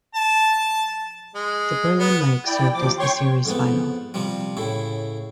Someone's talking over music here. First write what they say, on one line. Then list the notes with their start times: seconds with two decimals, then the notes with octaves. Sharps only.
The Berlin leg served as the series final.
0.15 A5
1.35 G#3
1.99 B3
2.45 E4 D5 G5
2.74 D#2 F3 D6
2.99 C#5 G5 C6 C#6
3.46 F2 G#2 B3
4.14 C3 F3 G3
4.57 A2 C#3 E4